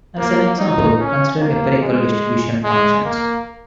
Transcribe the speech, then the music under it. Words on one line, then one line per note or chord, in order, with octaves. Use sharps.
As an example, consider empirical distribution functions.
A#3
D#4
C#4
A#3
G#3
G#3
A#3